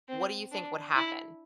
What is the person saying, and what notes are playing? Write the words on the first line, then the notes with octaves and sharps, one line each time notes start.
What do you think would happen?
C4
D4
E4